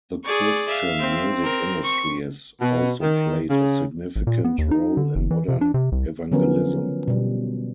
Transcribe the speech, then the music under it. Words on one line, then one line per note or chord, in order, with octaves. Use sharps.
The Christian music industry has also played a significant role in modern evangelism.
G#4 D5 C#6
E5 F5
C4
A#4
C#6
B2
D#3
C#3
A1
A#2
B3
D#2
D#4
D3
F#1
E3
C3
D4
C3
C2
D3 F3 F#3 B3 C#4 A#4
B2 G3